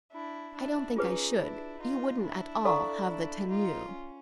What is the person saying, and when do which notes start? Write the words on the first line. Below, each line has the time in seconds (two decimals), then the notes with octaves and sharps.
"I don't think I should: you wouldn't at all have the tenue."
0.12 D4 E4
0.54 D4 E4
0.96 C#4 D#4 F4 G#4 B4
1.38 D4 E4
1.80 D#4 F4
2.23 D4 E4
2.65 A4 D5 F5 A#5 C#6
3.07 D4 E4
3.49 D#4 F4
3.91 C#4